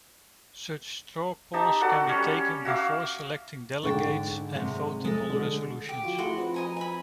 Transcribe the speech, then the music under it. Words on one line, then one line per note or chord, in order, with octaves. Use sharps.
Such straw polls can be taken before selecting delegates and voting on resolutions.
D#4 G4 A5
F#4 A4 D5 F#5
G3 C#4
F#4 E5 F5 D6
G#2 D3 D4 G5 C#6
C3 G#3
G#3 A4
D3
G4
F3 F4 F#4
A3 E4 F#4 G#4 C6
F3 C4 B4
D#5 G#5 A#5
G#5 B5